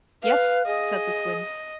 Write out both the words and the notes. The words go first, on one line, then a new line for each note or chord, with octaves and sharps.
"Yes," said the Twins.
B4 F5
G#4 D#5